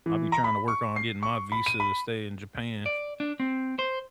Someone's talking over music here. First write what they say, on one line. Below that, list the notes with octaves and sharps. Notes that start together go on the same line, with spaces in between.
I'll be trying to work on getting my visa to stay in Japan.
E3
A#5
B5
C#6
C7
C#6
B5
D#7
B5
D5
D4
C4
C5